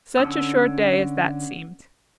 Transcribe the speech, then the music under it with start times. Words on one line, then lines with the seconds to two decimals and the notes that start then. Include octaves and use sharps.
Such a short day as that seemed!
0.18 D3 C#4 A5 E6